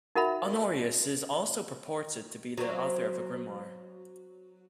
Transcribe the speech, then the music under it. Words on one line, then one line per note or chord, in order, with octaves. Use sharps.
Honorius is also purported to be the author of a grimoire.
D#4 F#4 A#4 E5 F#5 B5
F#3 C4